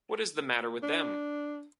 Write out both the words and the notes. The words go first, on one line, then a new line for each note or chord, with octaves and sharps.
What is the matter with them?
D4